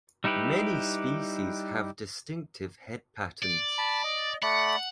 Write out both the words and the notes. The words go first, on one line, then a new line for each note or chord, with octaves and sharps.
Many species have distinctive head patterns.
G3 D#4 E4 G4 B4
D5
A5 B5
D#5
A3 D5 F#5 B5